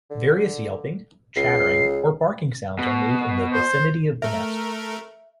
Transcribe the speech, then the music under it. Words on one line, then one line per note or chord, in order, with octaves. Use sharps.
Various yelping, chattering or barking sounds are made in the vicinity of the nest.
D3
C#2 C7
B2
C5
A3 A#4 E5